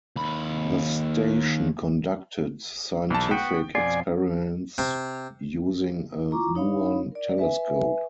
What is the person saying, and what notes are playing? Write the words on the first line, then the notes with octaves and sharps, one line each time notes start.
The station conducted scientific experiments using a muon telescope.
D#2 B5
B1 E3 A5
B3 F#4 G5
F2 B2 F4 D5 G#5
C3
E4 F4 A#5 C#6 D6
D4 D#4 C#5 F5 B5
A#4 D5
B4 E5 G#5